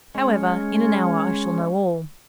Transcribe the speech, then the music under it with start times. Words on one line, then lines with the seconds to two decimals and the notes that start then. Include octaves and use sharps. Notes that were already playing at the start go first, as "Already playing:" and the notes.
However, in an hour I shall know all.
0.15 G#3 C#4